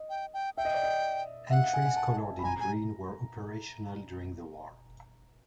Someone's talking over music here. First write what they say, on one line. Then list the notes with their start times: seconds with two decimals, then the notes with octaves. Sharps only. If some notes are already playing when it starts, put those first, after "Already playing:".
Entries coloured in green were operational during the war.
Already playing: D#5
0.10 G5
0.34 G5
0.57 E5 G5
0.65 D#5
0.74 D5
0.83 D#5
1.50 E5 F#5
1.62 F5
1.74 G#5
1.85 G#5
1.96 A5
2.39 B5
2.43 G#5 A#5
2.60 G#5